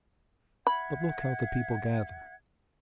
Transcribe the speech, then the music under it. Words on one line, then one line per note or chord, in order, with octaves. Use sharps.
"But look how the people gather!"
E5 F#5 B5 G#6